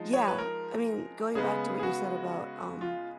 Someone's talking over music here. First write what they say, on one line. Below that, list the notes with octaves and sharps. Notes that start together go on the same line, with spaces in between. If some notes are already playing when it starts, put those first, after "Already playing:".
yeah, I mean, going back to what you said about, um,
Already playing: F3 G#3 D#4
C#5
B4
A#4
C#3 G#3 B3 G#4
G#4
F#4
F4